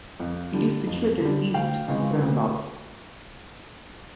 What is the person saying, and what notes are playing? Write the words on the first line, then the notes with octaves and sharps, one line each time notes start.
It is situated east from Louth.
F2
D3 G3
F2
D3 G3
D2 F5 G5
C#3 E3 G#3 C4
D2